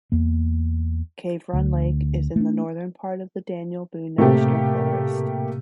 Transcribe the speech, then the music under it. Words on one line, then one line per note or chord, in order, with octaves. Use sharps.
Cave Run Lake is in the northern part of the Daniel Boone National Forest.
E2 A#3
D2
A3 D4
A2 C3 A3 A#3 G4